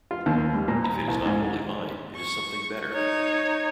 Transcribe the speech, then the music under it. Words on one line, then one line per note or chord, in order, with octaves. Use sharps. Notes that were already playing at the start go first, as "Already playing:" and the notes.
If it is not wholly mine it is something better.
F4
D#2
G3
A#2
A#5
C2
G#2
C#6
D#4 C#5